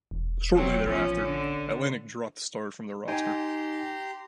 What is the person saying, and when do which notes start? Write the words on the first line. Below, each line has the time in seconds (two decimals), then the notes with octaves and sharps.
Shortly thereafter, Atlantic dropped Starr from their roster.
0.11 E1
0.53 B2 F#3 C4
0.85 A1 F3 C#4
1.22 D3
3.08 D#4 G4 G5 G#5 A#5 C6